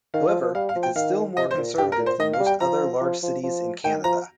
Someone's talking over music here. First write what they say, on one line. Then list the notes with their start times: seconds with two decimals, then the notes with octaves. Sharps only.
However, it is still more conservative than most other large cities in Canada.
0.14 D#3 F5
0.28 F3
0.41 F3
0.55 G3 F5
0.69 F5
0.76 F3
0.83 G5
0.96 D#3 F5
1.37 C3 D#5
1.51 C5
1.57 A#2
1.78 G2 G4
1.92 A#4
1.98 A#2
2.06 C5
2.19 D#3 D#5
2.33 F5
2.40 G3
2.46 G5
2.60 F3 A#5
3.01 F3
3.23 F3
3.43 F3
3.84 D#3 G5
4.04 F3 A#5